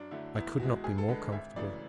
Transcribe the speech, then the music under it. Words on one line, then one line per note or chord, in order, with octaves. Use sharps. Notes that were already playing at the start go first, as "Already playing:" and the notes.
"I could not be more comfortable."
Already playing: F#2 D4
D3 F#3 A3 E4
E2 E4
B2 G#3 F#4
D2 G#4
A4
D3 G#3 B4
G#1 E5
F#2 C#3 E3 A3 D5